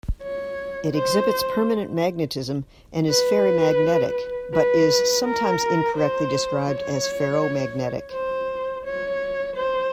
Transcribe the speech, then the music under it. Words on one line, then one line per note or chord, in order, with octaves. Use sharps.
It exhibits permanent magnetism and is ferrimagnetic, but is sometimes incorrectly described as ferromagnetic.
C#5
C5
B4
B4
A#4
C5
C#5
C5
C#5
C5